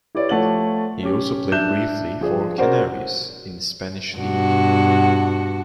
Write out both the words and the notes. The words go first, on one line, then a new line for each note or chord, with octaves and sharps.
He also played briefly for Canarias in the Spanish league.
E4 G4 B4 C#5 D5
F3 A3 C#5 F#5 A6 F#7
C#4 G4
D4 E5 F#6 G6 E7
F3 G#4 D5
C#4 F#4 A#4 C5 D5
G2 B2 F#4